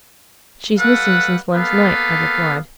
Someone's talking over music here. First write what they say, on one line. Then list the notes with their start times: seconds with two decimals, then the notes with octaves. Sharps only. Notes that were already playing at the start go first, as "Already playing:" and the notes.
"She's missing since last night," I replied.
0.77 G3 A4 B4 F5 F#5
1.55 A#3 B3 A4 B4 F5